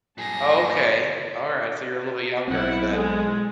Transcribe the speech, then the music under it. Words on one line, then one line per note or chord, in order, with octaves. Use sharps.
Okay, alright. So, you're a little bit younger then.
G2 A#2 G#4 A5 A#6
B1 C4 E4 F#5
G#3 A4